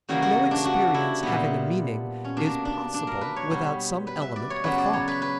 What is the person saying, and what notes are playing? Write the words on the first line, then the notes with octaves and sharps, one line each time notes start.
No experience having a meaning is possible without some element of thought.
C#3 E3 G3 A#3 F#4
F#4
D4
F#4
E4
A#2 G3 B3
C#4
B2 A#3 D4
D4
D4
A#4
B4
C#5
B2 G3 B3
B4
E5
D5
C#5
C#3 F#3 B3 B4
D5
C#5
B4
B4